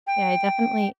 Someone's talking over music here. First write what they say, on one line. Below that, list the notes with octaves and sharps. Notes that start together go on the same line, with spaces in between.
Yeah, I definitely
G5